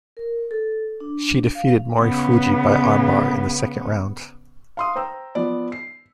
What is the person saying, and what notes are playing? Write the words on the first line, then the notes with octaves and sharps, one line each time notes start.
She defeated Morifuji by armbar in the second round.
A#4
A4
D4
F5
C#3 B3
F5 C6 D#6
C5 G5 A#5 E6
F3 B3 D5
C7